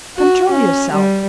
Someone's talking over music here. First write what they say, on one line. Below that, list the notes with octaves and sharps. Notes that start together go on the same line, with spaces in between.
Control yourself!
F#4
C#4
G3